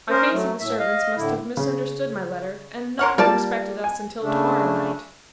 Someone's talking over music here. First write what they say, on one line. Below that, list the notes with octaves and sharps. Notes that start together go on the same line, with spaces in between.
"I fancy the servants must have misunderstood my letter, and not have expected us until to-morrow night."
C#4 A#4 C5 D#5
F#3 A3
A2 E5
D#5 F5
A2 D3 E4
C#3
A#4 C#5 F#5 C6 F6
G3 A#3 F4 D5 A5
G#5
C#3 A3 D4